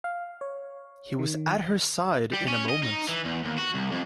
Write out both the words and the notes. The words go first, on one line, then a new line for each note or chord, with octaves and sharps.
He was at her side in a moment.
F5
C#5
D#3
G3
C#4
D#5
D#4
E3
E2
D#2
F#4
C2
F2